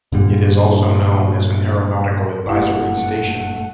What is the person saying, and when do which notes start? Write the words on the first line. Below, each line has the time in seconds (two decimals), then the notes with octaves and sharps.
It is also known as an Aeronautical Advisory Station.
0.12 G2 A#2 D3 G3
2.46 F#1 G2 A#2 A3 E4 G4 F#5